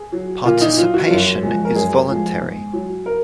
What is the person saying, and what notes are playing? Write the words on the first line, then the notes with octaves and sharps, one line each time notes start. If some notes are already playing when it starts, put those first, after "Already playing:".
Participation is voluntary.
Already playing: G#4
F#3
A#2 F4
D#4
F#3 F4
F#4
F4
F#2
F#4
F3 G#3
A#4
F#2 G#4
F3 G#3
G#2
F#3
A#4